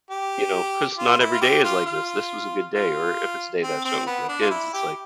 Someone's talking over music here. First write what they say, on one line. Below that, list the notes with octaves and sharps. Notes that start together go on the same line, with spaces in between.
you know, 'cause not every day is like this, this was a good day, or if it's a day that I spent with my kids, it's like,
G4
F4
E4
F4
G4
F4
F4
F4
C4
C4
B3
D4
F4
E4
G4